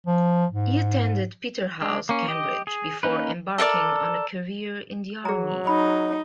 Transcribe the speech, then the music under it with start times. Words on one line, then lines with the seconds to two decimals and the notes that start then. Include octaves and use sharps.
He attended Peterhouse, Cambridge before embarking on a career in the army.
0.07 F3
0.51 G#2
1.81 G#3 D4
2.09 A#3 C#4
2.28 G4 D#5
2.67 G#4
3.03 A#3 C#4 D#4 B4
3.58 A4 A#4 C#5 D5
5.25 F#3 G#4 A#5
5.67 D#4 B5